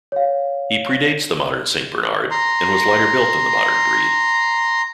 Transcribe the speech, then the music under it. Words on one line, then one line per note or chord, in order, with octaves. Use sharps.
He predates the modern Saint Bernard, and was lighter built than the modern breed.
C#5 F5
A#5 C6